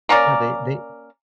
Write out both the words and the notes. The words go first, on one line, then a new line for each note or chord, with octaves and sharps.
You know, they they
A#3 C#4 A#4 D5